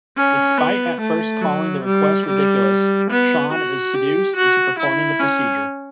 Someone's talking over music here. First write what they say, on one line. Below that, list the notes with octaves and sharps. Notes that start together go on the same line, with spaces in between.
Despite at first calling the request ridiculous, Sean is seduced into performing the procedure.
C#4
B3
A3
F#3
G3
G3
B3
F#4
G4
F#4
E4
C#4